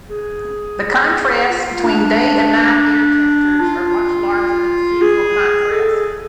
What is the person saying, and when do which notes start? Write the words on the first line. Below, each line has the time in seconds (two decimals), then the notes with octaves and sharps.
The contrasts between day and night air temperatures are much larger than seasonal contrasts.
0.10 G#4
1.50 F4
1.85 D4
3.61 F4
5.01 G#4
5.71 A4
5.95 G#4